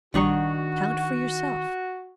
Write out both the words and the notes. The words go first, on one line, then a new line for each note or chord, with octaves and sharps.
"Count for yourself."
A#1 D#3 G3 D4 D#4 F#4 C#6